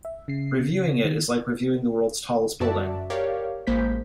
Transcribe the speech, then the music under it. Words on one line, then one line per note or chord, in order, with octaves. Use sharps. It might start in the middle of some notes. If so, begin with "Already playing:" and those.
Reviewing it is like reviewing the world's tallest building.
E5
C#3 C7
C#3
D#3
F#2 F#4 D5 E5 A5
G4 A#4 C#5 D5 F5
A1 G#3 A#3 C5 G6 B6